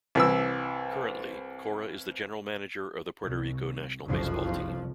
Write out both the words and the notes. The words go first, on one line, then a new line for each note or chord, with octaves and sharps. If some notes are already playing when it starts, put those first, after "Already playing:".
Currently, Cora is the General Manager of the Puerto Rico national baseball team.
C2 E3 E6
C2
F#1 C2 F2 F3